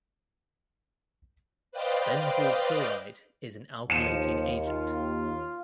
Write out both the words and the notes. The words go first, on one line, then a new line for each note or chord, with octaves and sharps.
Benzyl chloride is an alkylating agent.
B4 C5 D5 D#5 F5 G5
D#2 F3 C#7 D#7 E7
F4